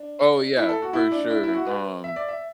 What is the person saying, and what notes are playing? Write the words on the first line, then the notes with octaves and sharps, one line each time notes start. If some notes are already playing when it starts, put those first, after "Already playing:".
Oh, yeah, for sure, um,
Already playing: D4
E4
A4
F#4
E4
D4
E4
E4
F#4
B4
E5
D5
E5